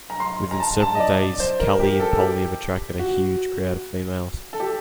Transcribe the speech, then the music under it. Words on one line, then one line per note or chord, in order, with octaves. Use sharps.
Within several days Calli and Polly have attracted a huge crowd of females.
A#5
C6
A#5
A5
A5
D#5
D5
C5
A#4
G4
A4
G4
F#4
A4
G4